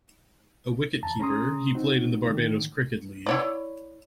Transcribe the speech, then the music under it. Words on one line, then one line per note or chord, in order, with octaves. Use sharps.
A wicketkeeper, he played in the Barbados Cricket League.
E2 A5 A#5
C#4 G#4 A#5 C6 D#6
C4 D#4 F#4
A2 D3 D#3
E4 C#5 D5